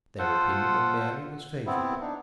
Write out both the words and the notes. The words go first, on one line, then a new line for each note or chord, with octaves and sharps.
Their opinion of Mary was favourable.
F4 A4 C5 F#5
B3 C4 E4
D4 D#4